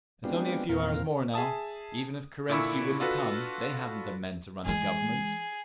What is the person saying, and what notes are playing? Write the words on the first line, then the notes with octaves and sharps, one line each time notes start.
It's only a few hours more, now. Even if Kerensky wouldn't come they haven't the men to run a Government.
G#3 B3 C4 D4 F4 G4
E2 A#2 C4 A#4 F5
G#4 E5 A5 D#6
A#2 D3 E4 B5 C#6 E6
D4 F4 F#4 A4 B4
E3 G#3 G#4